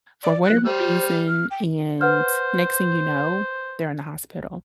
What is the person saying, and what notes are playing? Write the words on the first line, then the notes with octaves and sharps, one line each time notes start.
for whatever reason, and next thing you know, they're in the hospital.
D5
F#6
G3 C5 F6
F6
G5
B4 C5 F#5 F6